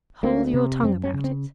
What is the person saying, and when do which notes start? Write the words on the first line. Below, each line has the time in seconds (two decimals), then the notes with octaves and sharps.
Hold your tongue about it.
0.23 D2 A#3
0.54 C3
0.83 F#2 C4
1.04 C#4
1.14 C#3
1.24 C4